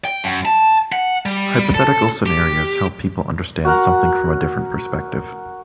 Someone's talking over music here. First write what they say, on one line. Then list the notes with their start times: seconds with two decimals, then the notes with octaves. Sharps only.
Hypothetical scenarios help people understand something from a different perspective.
0.05 G5
0.24 F#2
0.45 A5
0.92 F#5
1.26 G3
1.75 A4
2.26 G4
3.65 F#4 A#4 F#5